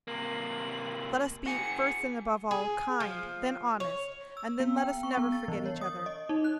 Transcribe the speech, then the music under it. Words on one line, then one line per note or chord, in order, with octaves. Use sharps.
Let us be, first and above all, kind, then honest and then let us never forget each other!
C3 A#3 F#7
F#4 G#4 C#7
G#4
F3
C#5
E6
B3
G5
C#6
B3
A6
E3
C#5
D#6
D#5
D#4
F#6